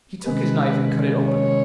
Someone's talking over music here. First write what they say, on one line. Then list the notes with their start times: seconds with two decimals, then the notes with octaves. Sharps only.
He took his knife and cut it open.
0.25 C3 D#3 G#3 C#4 B4
1.24 C#5